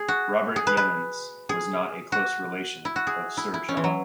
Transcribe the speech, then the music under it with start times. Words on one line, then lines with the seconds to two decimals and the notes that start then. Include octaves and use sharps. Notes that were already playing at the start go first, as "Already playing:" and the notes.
Robert Yeamans was not a close relation of Sir John.
Already playing: G#4
0.08 F#4
0.56 G#4
0.67 B4
0.77 B4
1.49 G#4
2.12 F#4
2.85 E4
2.96 F#4
3.07 G#4
3.37 E4
3.54 E4
3.68 C#4
3.77 E3
3.84 F#3